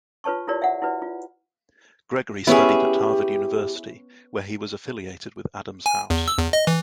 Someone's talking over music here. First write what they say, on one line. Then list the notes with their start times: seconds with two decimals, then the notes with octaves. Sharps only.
Gregory studied at Harvard University, where he was affiliated with Adams House.
0.24 F4 B4 C#5 A5 C#6
0.47 E4 F4 G4 A#4 C#5 D5
0.62 E5 F#5
0.82 E4 F#4 B4 D5
1.02 F4
2.47 B3 C#4 E4 G4 G#4 B4
5.86 G#5
6.10 E2
6.28 E6
6.39 E2
6.53 D#5
6.67 E3